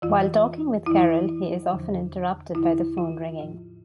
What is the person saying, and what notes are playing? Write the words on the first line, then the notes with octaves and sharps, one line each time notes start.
While talking with Carol, he is often interrupted by the phone ringing.
F2 E3 F4
F2 E3 E4
E2 D3 F3
E2 D3 F3 E4
F4
A2 F3